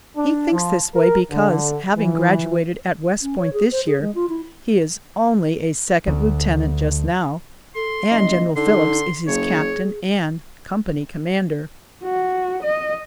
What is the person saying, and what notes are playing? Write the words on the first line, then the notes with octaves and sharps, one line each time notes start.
He thinks this way because, having graduated at West Point this year, he is only a second lieutenant just now, and General Phillips is his captain and company commander.
D4
F3
A#4
D3
E3
C#4
C#5
G#4
C5
G#4
G#3
F4
E4
D2
A4 C6
F#1 D#5
D3 D#4 C6
F#1 G#4 C#5
F#4
D#5